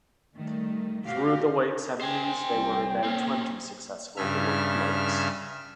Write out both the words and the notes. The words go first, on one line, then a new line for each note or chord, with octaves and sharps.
Through the late seventies, there were about twenty successful balloon flights.
D#3 G3 A3
B2 F#4 G4 F5
C5 G5 G#5
C2
A#3 C4 C#4
G2 C#3 E5 F6